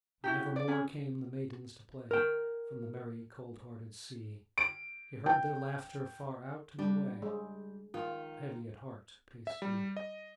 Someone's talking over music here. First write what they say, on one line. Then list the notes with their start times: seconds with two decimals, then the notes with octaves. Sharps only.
But never more came the maidens to play From the merry cold-hearted sea; He heard their laughter far out and away, But heavy at heart paced he.
0.24 E4 F#4 G4
0.56 D5
0.68 C#4 G#4
2.11 A#4 G5
4.58 D7
5.26 G5
6.79 G3 D4
7.22 G#3
7.94 D#3 F4
9.47 E5
9.62 G3
9.97 D#5